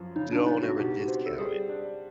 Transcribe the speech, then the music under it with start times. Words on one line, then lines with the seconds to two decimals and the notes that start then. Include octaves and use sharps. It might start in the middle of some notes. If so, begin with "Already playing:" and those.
Don't ever discount it.
Already playing: F#2 F3
0.16 C#3 D#4
0.32 D4
0.46 B3 D#4
0.63 F#4
0.77 B2 G4
1.08 C4
1.26 A4
1.38 G3 G#4
1.69 D4